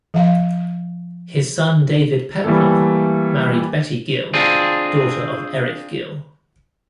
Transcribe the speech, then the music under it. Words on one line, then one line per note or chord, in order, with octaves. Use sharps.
His son David Pepler married Betty Gill, daughter of Eric Gill.
F3 F5
E3 G3 A3 A#3 A4
C4 D4 F4 G#4